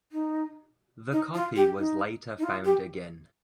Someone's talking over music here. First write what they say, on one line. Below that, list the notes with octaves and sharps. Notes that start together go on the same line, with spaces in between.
The copy was later found again.
D#4
D#4
F4
G4
D#4
D#4
F4
G4